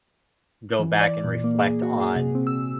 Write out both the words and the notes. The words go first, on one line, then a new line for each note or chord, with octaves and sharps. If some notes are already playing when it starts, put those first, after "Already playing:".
go back and reflect on,
E3
D5
A#2
A#3
G#4
F#4
G#4
C3
C4
E6